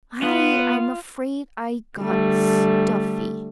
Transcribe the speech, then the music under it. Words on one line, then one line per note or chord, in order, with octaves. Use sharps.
I--I'm afraid I got stuffy.
B3 F4
D3 G3 A3